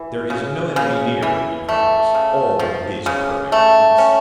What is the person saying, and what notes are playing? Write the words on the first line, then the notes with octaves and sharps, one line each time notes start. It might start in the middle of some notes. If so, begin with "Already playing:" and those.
"There is no enemy near," he cries, "all is perfect peace!"
Already playing: E3
C#3
C#3
E3
A3
C#3
F3
C#3
A3
C#4